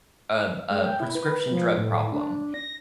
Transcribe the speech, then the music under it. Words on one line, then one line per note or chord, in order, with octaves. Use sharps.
a a prescription drug problem
G#3
G5
E4
B4
F3
A2
D4
A#6